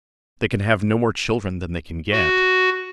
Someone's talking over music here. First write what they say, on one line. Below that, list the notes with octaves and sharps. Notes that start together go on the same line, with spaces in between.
They can have no more children than they can get.
F#4